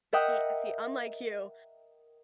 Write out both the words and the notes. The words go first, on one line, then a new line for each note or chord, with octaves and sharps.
ha see, unlike you,
A#4 D#5 E5 F#5 G5 D#6